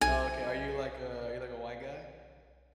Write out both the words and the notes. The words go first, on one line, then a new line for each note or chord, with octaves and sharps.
Oh, okay. Are you like a are you like a white guy?
B1 G#5